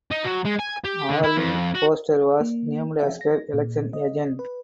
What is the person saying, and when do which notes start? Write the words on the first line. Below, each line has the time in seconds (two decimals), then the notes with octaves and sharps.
Arlene Foster was named as her election agent.
0.11 D#4
0.24 F#3
0.45 G#3
0.59 G#5
0.85 G4
1.09 D3
1.24 E4
1.37 F2
1.75 F#4
2.41 A#3
2.99 E5
3.21 A#6
3.54 A#2
3.93 D#5
4.39 B4